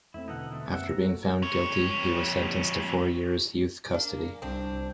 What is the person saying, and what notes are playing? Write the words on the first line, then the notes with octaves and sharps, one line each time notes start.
After being found guilty, he was sentenced to four years' youth custody.
E2 A3 C4 E4
B2 D3 E3 D#4 A4 F#5
A3 C4 D#4
F#2 A#3 C4 E5 F#5
A#5
F#4 A4 C#5
F2 C#5
A#3 D4
C2 C4 D4